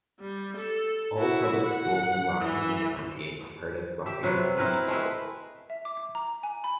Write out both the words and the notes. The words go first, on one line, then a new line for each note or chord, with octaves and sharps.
All public schools in Rockingham County are a part of Rockingham County Schools.
G3
A4
E4 F#4
F#5
E3
G4 E5
C3 F#3 C4 B4
C4 E4 A#4 B4
G#3 A3 C4 B4
E5
D6
A#5
G#5
B5